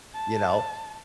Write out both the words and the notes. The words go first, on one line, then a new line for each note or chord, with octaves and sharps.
you know?
A5